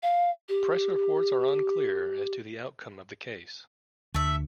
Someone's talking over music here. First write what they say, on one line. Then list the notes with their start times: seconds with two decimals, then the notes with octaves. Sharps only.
Press reports are unclear as to the outcome of the case.
0.03 F5
0.48 G4
4.14 D2 A3 E5